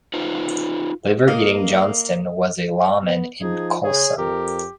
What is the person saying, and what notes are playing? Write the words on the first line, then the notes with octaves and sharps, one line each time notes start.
Liver-Eating Johnston was a lawman in Coulson.
D#4 F4 B4 C5
A#3 D#5 F5
B3
F3 D#4 G#4
C#3 G#4 C#5
F2 G4 A#4